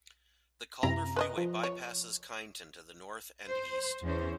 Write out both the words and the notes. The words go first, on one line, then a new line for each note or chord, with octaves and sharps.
The Calder Freeway bypasses Kyneton to the north and east.
F#2 C3 E4 A#5
B4 C5 D#5
F3
C#5
C5
E2 E3 C#4 C5